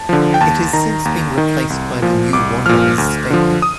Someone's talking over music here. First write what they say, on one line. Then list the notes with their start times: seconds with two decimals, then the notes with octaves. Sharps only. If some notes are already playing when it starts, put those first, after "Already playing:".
It has since been replaced by the New Wanderers Stadium.
Already playing: A5
0.09 D3 F3
0.34 G5
0.41 D#2 A5
0.73 D#3 A#5
1.05 D#2
1.38 D#3
1.70 C2
2.02 A#2 F3
2.33 C2 D6
2.66 A#2 F3 F6
2.98 D2
3.30 D3 F3
3.62 D#6